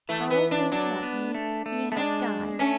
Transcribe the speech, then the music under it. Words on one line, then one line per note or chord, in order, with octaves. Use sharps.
Charles won't want me, he has Guy.
E3 A3
B3
D4
F#3 D4
B3
A3
A3
A3
G#3 D4
A3 C#4